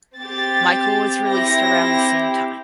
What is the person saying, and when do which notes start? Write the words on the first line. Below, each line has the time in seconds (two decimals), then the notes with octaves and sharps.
Michael was released around the same time.
0.18 C4 G4 A6
1.27 C4 E4 G4 A#6